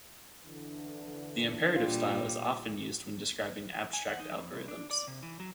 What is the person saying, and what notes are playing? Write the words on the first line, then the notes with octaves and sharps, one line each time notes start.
The imperative style is often used when describing abstract algorithms.
D3 E3 D4
A#2 G3 F4
G#5
F#5
D#4
F2
C2
D4
D5
C3
E3
F#3